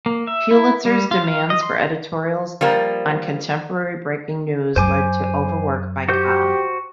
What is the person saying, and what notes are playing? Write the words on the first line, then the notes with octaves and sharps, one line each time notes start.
Pulitzer's demands for editorials on contemporary breaking news led to overwork by Cobb.
A#3
E5
E4
G3
F4
F5
D#5
C6
F3 G3 A#3
F#2 C5 G#5 D6
F#4 G4 C5 G6